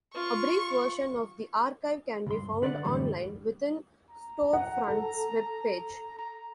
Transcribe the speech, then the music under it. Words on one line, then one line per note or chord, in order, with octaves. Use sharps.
A brief version of the archive can be found on-line within Storefront's webpage.
F4 C#6
C#2 G2 C6
D3 B4 D5 E5 F#5
F#2 A2 D3 E3 G3
A#5
F#5
A4
A#5